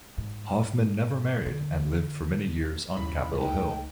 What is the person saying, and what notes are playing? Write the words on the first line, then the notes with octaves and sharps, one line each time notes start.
Hoffman never married and lived for many years on Capitol Hill.
G#2
D3
D#2 A2 C#3 E3 B5
C#2 G#3 A3 D#4 G5